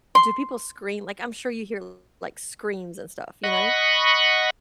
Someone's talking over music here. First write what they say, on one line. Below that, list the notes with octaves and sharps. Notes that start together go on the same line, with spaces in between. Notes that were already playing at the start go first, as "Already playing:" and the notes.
do people scream? Like, I'm sure you hear, like, screams and stuff, you know?
C6
D#5 F#5 B5 C#6